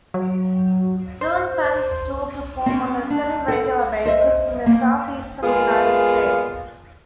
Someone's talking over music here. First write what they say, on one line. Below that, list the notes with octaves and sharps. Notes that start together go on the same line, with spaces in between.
Dillon Fence still perform on a semi-regular basis in the Southeastern United States.
F#3
C5
C4 C#4 G5
D4
A4 F#5
C5 D#5 E5
A#3
G#3 A#3 B3 F4 G#4